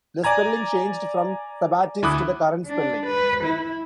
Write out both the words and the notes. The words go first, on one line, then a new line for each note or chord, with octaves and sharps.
The spelling changed from Sabattis to the current spelling.
D5 G#5 A#5 G#6
D2 E4 B5 D6 D#6 F#6
D4
B4
E4